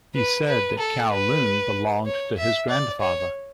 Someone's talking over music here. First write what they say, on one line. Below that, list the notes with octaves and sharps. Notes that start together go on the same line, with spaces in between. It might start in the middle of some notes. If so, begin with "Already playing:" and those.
He said that Kowloon belonged to his grandfather.
B4
B4
A4
B4
C#5
E5
D5
C#5